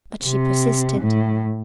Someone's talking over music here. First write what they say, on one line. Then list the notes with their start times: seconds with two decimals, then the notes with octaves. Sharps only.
But she persisted.
0.24 C3
1.01 A2